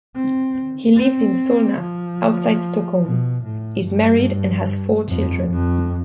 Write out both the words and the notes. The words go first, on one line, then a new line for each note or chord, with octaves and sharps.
He lives in Solna outside Stockholm, is married and has four children.
C4
C4
F3
B2
A2
G2
F2
F2